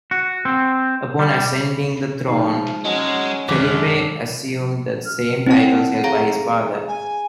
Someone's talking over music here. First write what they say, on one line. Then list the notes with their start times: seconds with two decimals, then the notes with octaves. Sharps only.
Upon ascending the throne, Felipe assumed the same titles held by his father.
0.11 F#4
0.45 C4
1.19 G3
2.28 F3 G#3 D#4
2.85 F#3 G#3 C#4
3.49 F#2 D#3 G#3 C#4 D4
5.05 F6
5.46 C4 E4 F#5 A5
6.04 G#4 F5 A#5
6.88 G#5